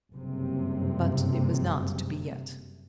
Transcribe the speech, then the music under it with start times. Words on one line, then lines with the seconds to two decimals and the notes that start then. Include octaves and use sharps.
But it was not to be yet.
0.12 F#1 G2 C3